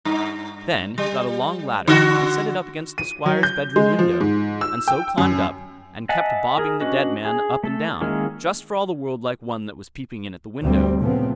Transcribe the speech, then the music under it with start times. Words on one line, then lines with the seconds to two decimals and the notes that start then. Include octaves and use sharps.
Then he got a long ladder and set it up against the Squire's bedroom window, and so climbed up, and kept bobbing the dead man up and down, just for all the world like one that was peeping in at the window.
0.05 G2
0.98 G3
1.88 D3 F#4
2.98 D#7
3.26 F#3
3.43 G6
3.76 G#3
3.99 F3
4.21 G#2
4.61 E6
4.88 G5
5.18 F#2
6.09 D#5 E5 F#5 G#5 A5
6.58 G#4 A#4
6.80 C#4 D4 F#4 B4 D#5
7.25 G#4
7.64 A3 A4
8.01 D#3 G#3 A#3 C#4 E4
10.62 D2 G2 G3 C4
11.00 A#2 C#3 F3 A3 B3 C4